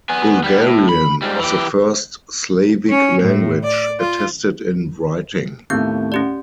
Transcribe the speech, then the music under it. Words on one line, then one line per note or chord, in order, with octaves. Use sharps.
"Bulgarian" was the first "Slavic" language attested in writing.
B3 G#5
G3 B3
A2
B5
G#2 G3
E3 G4
C#4
A2
D5
F4
D#2 A2 A3 B3 C4 G6
C#4 G4 D5